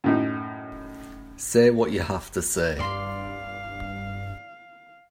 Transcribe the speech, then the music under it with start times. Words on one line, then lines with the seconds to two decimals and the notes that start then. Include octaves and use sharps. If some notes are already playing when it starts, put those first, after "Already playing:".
Say what you have to say.
0.04 F#2 A2 D#4
2.79 G2 D5 F5 C6